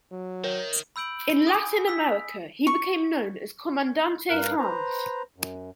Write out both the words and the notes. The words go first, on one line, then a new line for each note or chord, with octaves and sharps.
In Latin America, he became known as "Commandante Hans".
F#3
D#3 A#4 C#5
B5 E6 G6 D7 F#7
G#5 D#6
E6 B6
C#6
G2 A#4 F5 F#6
B4 C5 A#5
F#2